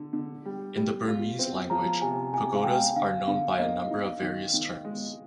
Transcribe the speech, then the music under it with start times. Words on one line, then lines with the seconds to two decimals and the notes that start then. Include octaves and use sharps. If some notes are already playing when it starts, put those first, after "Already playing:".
In the Burmese language, pagodas are known by a number of various terms.
Already playing: D3
0.13 D3
0.45 G3
0.77 G3
1.08 F4
1.39 C4
1.70 F3 A#5
2.02 C3 G#5
2.33 C3 G#5
2.55 F5
2.64 G#3 G5
2.96 D3 F5
3.27 D3 F5
3.58 A#3 D#5
3.91 D#4
4.22 D#3
4.54 D#3
4.85 G#3